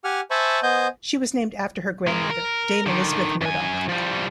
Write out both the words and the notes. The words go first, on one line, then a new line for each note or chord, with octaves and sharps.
She was named after her grandmother, Dame Elisabeth Murdoch.
G4 F#5 G#5 F6
C5 E5 G#5 A5 B5 C#6
B3 C5 D#5 G#5 G6
G#3 A#4
A#4
D3 D#3
F#2 G#5
F3 G3